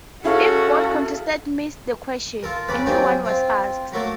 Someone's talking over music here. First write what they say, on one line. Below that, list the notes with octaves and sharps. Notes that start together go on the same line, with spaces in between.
If both contestants missed the question, a new one was asked.
C#4 E4 F#4 G#4 A4 F5
F4 A4 A#4
F2 C#3 A3 B4 D5
F#3 A#3 C4 F4 G4 G#4
C4 F4
F#3 A3 A#3 A4 A#4